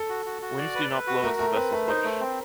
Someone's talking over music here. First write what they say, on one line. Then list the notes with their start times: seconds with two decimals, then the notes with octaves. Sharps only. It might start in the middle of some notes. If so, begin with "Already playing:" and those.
Winds do not blow as the vessels wish.
Already playing: A4
0.09 F#4
0.26 F#4
0.42 F#4
0.58 D5
0.75 B4
0.91 B4
1.07 F#4
1.23 A3 A#4
1.39 A3 A#4
1.55 C4 B4
1.72 A3 B4
1.88 D#4 C5
2.04 A3
2.21 C4